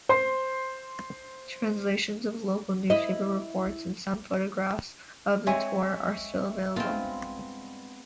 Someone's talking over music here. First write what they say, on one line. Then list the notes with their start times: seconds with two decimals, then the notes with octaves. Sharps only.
Translations of local newspaper reports, and some photographs of the tour, are still available.
0.09 C5 C6
2.90 E4 D#5
5.47 G#3 C4 C#5 E5 G#5
6.76 G2 G#3 B3 C4 F4